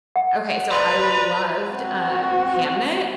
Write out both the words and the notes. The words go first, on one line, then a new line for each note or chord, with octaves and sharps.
Okay, so I loved, um, Hamnet.
F#5
B4 C5 D5 A#5 C6
C4 F#4